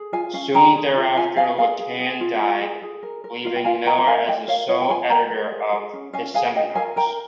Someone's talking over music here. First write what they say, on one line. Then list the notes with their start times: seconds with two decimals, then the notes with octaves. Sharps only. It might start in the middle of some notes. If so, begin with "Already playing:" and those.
Soon thereafter Lacan died, leaving Miller as the sole editor of his seminars.
Already playing: G#4
0.12 F4 F5 G#5
0.33 C#4 F5 G#5
0.54 G#4 G5 A#5
0.75 G#4
0.96 F4
1.16 F4 F5 G#5
1.36 G#4 F5 G#5
1.58 G#4 F5 G#5
1.79 G#4
1.99 G#4
2.20 F4
2.41 F4
2.62 G#4
2.82 G#4
3.03 A#4
3.24 A#4
3.45 F4 F5
3.56 G5
3.64 F4 F5 G#5
3.85 A#4 G5 A#5
3.98 A#5
4.06 A#4 F5 G#5
4.27 A#4 D#5 G5
4.47 A#4 C#5 F5
4.69 F4 C#5
4.81 G5
4.90 F4 F5 G#5
5.10 A#4 G5 A#5
5.30 A#4
5.51 G#4
5.73 G#4
5.93 C#4
6.13 C#4 F5 G#5
6.34 G#4 F5 G#5
6.55 G#4 D#5 G5
6.75 A#4 F5 G#5
6.96 A#4 G5 A#5